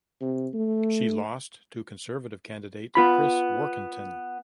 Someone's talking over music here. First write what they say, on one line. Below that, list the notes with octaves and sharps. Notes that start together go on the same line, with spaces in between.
She lost to Conservative candidate Chris Warkentin.
C3
A3
B3 F4 B5